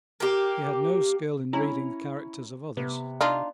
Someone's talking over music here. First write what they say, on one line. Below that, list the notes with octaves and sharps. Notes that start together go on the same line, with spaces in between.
He had no skill in reading the characters of others.
A#3 G4
C#4 E4 A#5
C3 B3
D4 D#4 F4